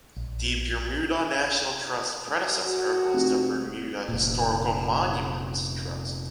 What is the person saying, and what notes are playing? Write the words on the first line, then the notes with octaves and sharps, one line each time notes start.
The Burmuda National Trust's predecessor was the Bermuda Historical Monuments Trust.
A#1
F#4
F1
F1 A#2